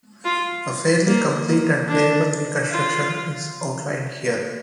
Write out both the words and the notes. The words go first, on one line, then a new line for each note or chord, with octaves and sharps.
A fairly complete and playable reconstruction is outlined here.
F4
A#3
A#3
D4
F4